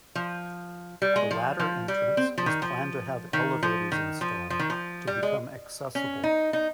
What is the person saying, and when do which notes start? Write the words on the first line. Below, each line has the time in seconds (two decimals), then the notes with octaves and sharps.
The latter entrance is planned to have elevators installed to become accessible.
0.15 F3
1.02 G3
1.16 G#3
1.31 F3
1.60 F3
1.88 G3
2.17 C4
2.38 F3
2.46 D#3
2.62 F3
3.33 D#3
3.63 F3
3.92 D#3
4.21 F3
4.50 F3
4.60 D#3
4.70 F3
5.07 G3
5.23 G#3
5.95 C#4
6.24 D#4
6.53 D#4